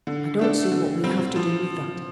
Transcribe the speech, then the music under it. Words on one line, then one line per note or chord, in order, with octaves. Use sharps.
'I don't see what we have to do with that.
D3
A3 D4 A4
D3
G3 C4 F4
F3